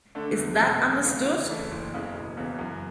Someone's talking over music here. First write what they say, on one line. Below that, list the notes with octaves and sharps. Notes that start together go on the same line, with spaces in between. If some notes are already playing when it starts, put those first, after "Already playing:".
Is that understood?
D3 A3 D4
E2
B2 F#3 B3
D2
C#3 E3
C#3
E3 A3
F#1
E2 C#3 E3
E1
E2 C#3 E3
F#2